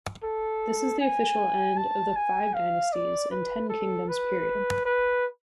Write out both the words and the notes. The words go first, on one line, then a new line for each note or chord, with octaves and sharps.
This is the official end of the Five Dynasties and Ten Kingdoms period.
A4
G#5
A5
G#5
F5
D5
B4
A4
B4
B4